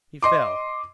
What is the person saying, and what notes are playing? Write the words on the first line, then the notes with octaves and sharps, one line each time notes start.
He fell.
D#5 C6 D6